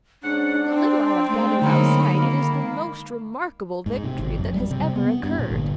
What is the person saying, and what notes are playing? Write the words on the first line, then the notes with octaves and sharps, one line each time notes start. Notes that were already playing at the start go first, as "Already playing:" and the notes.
From the little I have gathered outside, it is the most remarkable victory that has ever occurred.
G#2 C#4 D4 F#5
C4
G#3 A3
D3 F#3 G#3 A#3 D#4 B5
D#3 A#3
G#2
C3
G#1
F#2
G3
C3
B3
G2
A#2
G1